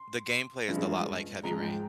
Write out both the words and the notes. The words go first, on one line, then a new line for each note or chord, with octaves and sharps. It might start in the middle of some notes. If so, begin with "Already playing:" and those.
The gameplay is da lot like Heavy Rain,
Already playing: C6
G2 F3 G#3
G#2 F3 G#3 A#5
G5